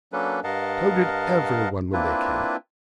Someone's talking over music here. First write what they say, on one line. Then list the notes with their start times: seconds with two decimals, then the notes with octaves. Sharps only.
So did every one when they came.
0.13 F#3 A#3 C#4 D4 A4 B4
0.44 G2 A#4 D#5 F5 F#5 A5
1.93 A#3 C4 D4 E4 F4 B4